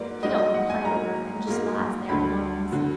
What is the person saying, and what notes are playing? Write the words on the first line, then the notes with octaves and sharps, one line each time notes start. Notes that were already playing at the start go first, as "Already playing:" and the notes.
She don't complain or nothing--just lies there and moans.
Already playing: G#2 F#3 A#3 A#4 B4 D5
G#2 F#3 A#3 D#5
D#5
F#5
G#5
G#2 F#3 A#3 A#5
G#2 F#3 A#3
D2 D3 F#3 B5
D2 D3 F#3